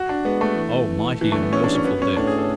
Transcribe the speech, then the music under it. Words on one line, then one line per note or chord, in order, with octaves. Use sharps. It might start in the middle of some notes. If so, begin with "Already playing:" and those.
Oh, mighty and merciful Death!
Already playing: F#4
D4
G#3 B3
A3
E3
D3 E3
A3
B3
E2 C#4
D4
C#4
F#2 B3
C#4
A2 D4
G#4
A4